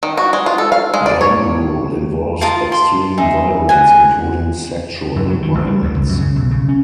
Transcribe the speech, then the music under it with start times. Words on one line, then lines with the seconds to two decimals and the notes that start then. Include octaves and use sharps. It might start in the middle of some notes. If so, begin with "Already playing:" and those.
Gang rule involves extreme violence, including sexual violence.
0.03 D#3
0.17 F#4
0.33 G#3
0.46 F4
0.58 A4
0.72 F5
0.94 G#3
1.06 D5
1.21 C#5
2.41 F4 A#4 D#5 A5
2.72 C6
3.18 D#4 G#4 E5
3.69 F#4 G#5
5.16 F#2
5.30 F#3
5.42 D#3
5.55 A1
5.67 G3
5.82 D2
5.95 C#2
6.09 F#2
6.21 C#3
6.36 B1
6.51 C#3
6.69 C#4